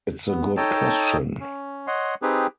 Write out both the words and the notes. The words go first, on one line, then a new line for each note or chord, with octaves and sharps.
It's a good question.
B3
D#4 A4 C#5 D#5 G5 A5
C#4
C#5 D#5 F#5 C6
C4 D#4 G4 G#4 B4